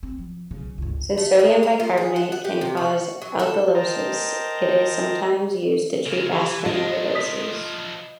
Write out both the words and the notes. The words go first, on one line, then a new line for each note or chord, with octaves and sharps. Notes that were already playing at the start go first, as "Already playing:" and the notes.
Since sodium bicarbonate can cause alkalosis, it is sometimes used to treat aspirin overdoses.
C4
F3
B1 C#3
G1 C#2
A3
G#3
A#4
F4
G#4
F#5
F#5
G4
C3
F#4
F#3
A4
A#4 C5 D#5 G5 A5 A#5
C#3 A#3
E3 G4
F3 D4 D#5
D#6 B6